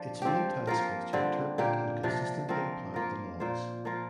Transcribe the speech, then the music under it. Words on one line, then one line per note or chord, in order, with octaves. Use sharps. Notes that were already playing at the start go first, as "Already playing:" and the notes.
Its main task was to interpret and consistently apply the laws.
Already playing: F3 D4
F3 C4 G4
F3 A#3 F4 A#4
D3 G3 C4
A#2 A#3 G4
C3 F3 D4
F3 C4 A#4
A#3 F4 A#4
A#2 A#3 F4 C5
F3 A#3 F4 A#4